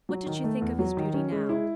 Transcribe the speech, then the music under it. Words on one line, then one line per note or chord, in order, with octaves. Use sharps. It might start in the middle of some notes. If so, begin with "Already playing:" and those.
What did she think of his beauty now?
F#3
D#3
A3
E2
F#3
D#3
C#4
G#3
E4